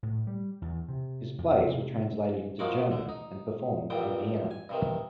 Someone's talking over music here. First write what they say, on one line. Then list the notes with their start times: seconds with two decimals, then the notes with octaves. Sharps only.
His plays were translated into German, and performed in Vienna.
0.03 A2
0.27 G3
0.62 E2
0.89 C3
1.38 F2
1.67 C3
2.59 F3 F#3 G#3 A#3 F#4 D5
2.91 D3
3.09 D#4
3.90 A1 E2 G2 A#2 G5 D#6
4.51 G#5
4.69 G2 C3 D#3